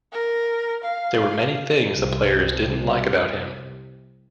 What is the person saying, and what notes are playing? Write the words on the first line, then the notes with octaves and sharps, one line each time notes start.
There were many things the players didn't like about him.
A#4
F5
C2 C3